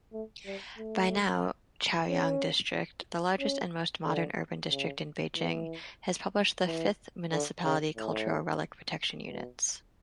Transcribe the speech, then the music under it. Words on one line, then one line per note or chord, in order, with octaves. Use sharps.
By now, Chaoyang District, the largest and the most modern urban district in Beijing, has published the fifth Municipality Cultural Relic Protection Units.
A3
G3
A3
C#4
C#4
D3
C#3
E3
E3
D3
C#3
A2
B2